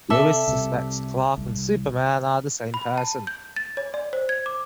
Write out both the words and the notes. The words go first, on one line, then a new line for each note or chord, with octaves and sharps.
Lois suspects Clark and Superman are the same person.
C3 A4 D5 E5
C2 C3
C2
B5
A5
G6
A6
C#5
D5
C5
G#6
D6